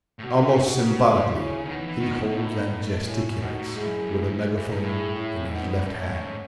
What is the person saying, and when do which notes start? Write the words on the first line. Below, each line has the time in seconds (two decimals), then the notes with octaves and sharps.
Almost symbolically he holds and gesticulates with a megaphone in his left hand.
0.19 A2
0.24 B2 D#4 F#4
0.37 B2
0.47 C#3
0.77 C#3
1.29 C#4 E4
1.65 D#3 B3 D#4
1.77 E3
1.88 E3
2.00 D#3
2.11 C#3
2.23 B2
2.35 A2
3.05 C#4 E4
3.40 A2 D#4 F#4
3.58 A2
3.75 G#2 E4 G#4
3.87 F#2
3.99 F#2
4.10 G#2
4.22 G#2
4.34 G#2
4.46 E4 G#4
4.57 G#2
4.69 G#2
4.81 A2 E4 G#4
5.15 C#4 E4
5.45 F#2
5.50 G#2 B3 D#4
5.68 G#2
5.85 A2 A3 C#4
5.98 G#2
6.09 F#2
6.21 G#2